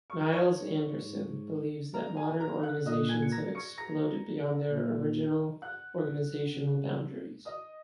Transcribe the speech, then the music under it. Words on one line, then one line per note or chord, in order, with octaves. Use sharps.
Niels Andersen believes that modern organizations have exploded beyond their original organizational boundaries.
C#6
A#5
C#5 C#6
G#2
A#4 A#5
G#5
A#4 A#5
F#5 F#6
A#2 D#5 D#6
G#5 G#6
C#7
A#5 A#6
C#6 C#7
A#5 A#6
A#2
F#5 F#6
C#3
D#5 D#6